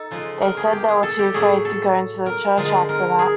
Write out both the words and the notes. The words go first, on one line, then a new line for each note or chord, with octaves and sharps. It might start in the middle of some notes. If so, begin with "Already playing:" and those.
They said they were too afraid to go into the church after that.
Already playing: D#4 A4
C#3 F3 G#3
A#4
G#4
G4
G#4
A4
G4
A2 F#3 A3 G#4
A4
A#4
D3 F3 G#3
A#4
G#4